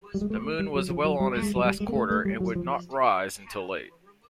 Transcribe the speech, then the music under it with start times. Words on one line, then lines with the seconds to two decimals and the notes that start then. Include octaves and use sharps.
The moon was well on its last quarter and would not rise till late.
0.14 G3
0.21 G#3
0.30 A3
0.45 A3
0.59 G3
0.75 F#3
0.90 F3
1.04 F#3
1.20 G3
1.37 A3
1.42 G#3
1.56 F#3
1.65 G3
1.80 G#3
1.89 A#3
1.95 A3
2.10 A3
2.25 G3
2.40 F#3
2.55 F3